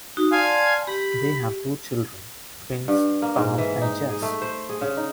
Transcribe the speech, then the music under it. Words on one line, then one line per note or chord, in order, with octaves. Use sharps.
They have two children, twins Tom and Jess.
D#4 F#4
D5 F5 G#5 A5 C6
G4 B5
G2
A#3
G#2
E3
D#4
G#4
A3
C5
G#4
C#3
D#4